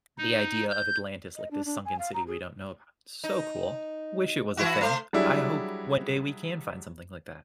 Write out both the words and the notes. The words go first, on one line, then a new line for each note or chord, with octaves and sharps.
the idea of Atlantis, like, this sunken city we don't know about- so cool, wish it was a thing. I hope one day we can find something like that,
D#4
G6
D#5
D4
D4
G#5
F5
A#5
G#4
D#4
E3 E4 F#4
A3 C5
F#3 G3 D4 E4 G#4